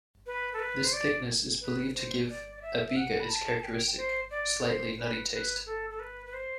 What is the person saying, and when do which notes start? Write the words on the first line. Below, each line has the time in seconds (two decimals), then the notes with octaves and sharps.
This thickness is believed to give a Biga its characteristic slightly nutty taste.
0.26 B4
0.54 A4
0.59 B4
0.84 C5
0.93 D5
1.61 B4
1.94 C5
2.29 D5
2.56 D5
2.62 E5
2.87 E5
2.96 F#5
3.20 B5
3.29 A5
3.59 A5
3.64 G5
3.97 C5
4.31 D5
4.65 C5
4.98 B4
5.33 B4
5.66 A4
5.90 A4
6.00 B4
6.26 B4
6.34 C5